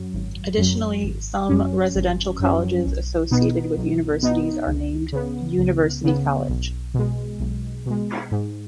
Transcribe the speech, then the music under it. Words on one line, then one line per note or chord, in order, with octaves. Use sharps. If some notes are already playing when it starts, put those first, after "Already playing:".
Additionally, some residential colleges associated with universities are named "University College".
Already playing: F#2 F#3
G#1
F#2 F#3
G#1
F#2 F#3 C#4
G#1
F#2 F#3 C#4
B1
B2 B3 D#4
B1
B2 B3 D#4
C#2
C#3 B3
C#2
C#3 B3
B1
B2 G#3
B1
B2 G#3
G#2